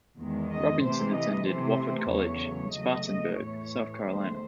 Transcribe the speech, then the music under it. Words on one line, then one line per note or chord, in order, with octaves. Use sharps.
Robinson attended Wofford College in Spartanburg, South Carolina.
E2 D#3 G#3
D#5
C3 E3 A3 C5
D#5
C3 E3 A3 C5
E2 C#3 F#3 A3 C#5
E2 C#3 F#3 A3 D#5
D#5
A2 E3 A3 C#5
E2 D#3 A3 C5